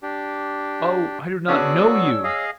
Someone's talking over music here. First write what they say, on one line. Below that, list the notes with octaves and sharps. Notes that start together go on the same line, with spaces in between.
"Oh, I do not know you!"
D4 G4
B3 C#4 D4 F#4 G#4 C#5 E6 F#6
G#4 D#5 F5